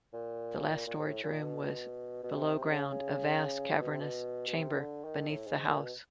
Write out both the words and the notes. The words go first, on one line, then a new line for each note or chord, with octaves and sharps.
The last storage room was below ground, a vast, cavernous chamber beneath the house.
A#2
A#2
G#2
A2
A#2
B2
B2
C3
C3
C#3
B2
C3
B2
B2
C3
D#3
D3
D#3
A2
G#2
A#2
B2